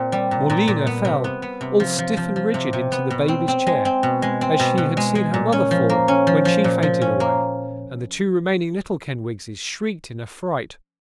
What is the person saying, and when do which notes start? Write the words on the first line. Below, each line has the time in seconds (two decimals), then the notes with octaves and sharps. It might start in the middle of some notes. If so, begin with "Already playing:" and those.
Morleena fell, all stiff and rigid, into the baby's chair, as she had seen her mother fall when she fainted away, and the two remaining little Kenwigses shrieked in affright.
Already playing: A#2 C4
0.12 G3
0.31 A#2
0.50 A#2
0.68 A#2
0.87 B3
1.05 C3
1.24 B3
1.42 B3
1.61 C3
1.80 F3
1.99 F3
2.17 F3
2.36 F3
2.54 C3
2.73 C3
2.92 B3
3.10 B2
3.28 C4
3.48 C4
3.67 G#3
3.85 C4
4.03 B2
4.22 G#3
4.41 C4
4.60 B2
4.78 B2
4.97 G#3
5.15 G#3
5.34 A#2
5.52 C#4
5.71 F3
5.89 A#3
6.08 C#4
6.27 F3
6.45 F3
6.64 A#2
6.83 F3
7.01 C#4
7.20 A#3